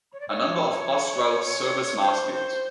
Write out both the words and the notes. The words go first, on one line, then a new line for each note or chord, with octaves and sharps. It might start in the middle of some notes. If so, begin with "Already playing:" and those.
A number of bus routes service Marsfield.
C#5
D5
C#5
C5
C5